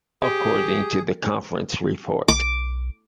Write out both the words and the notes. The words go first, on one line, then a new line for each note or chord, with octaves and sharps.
According to the Conference Report.
G4 G#4
B1 D6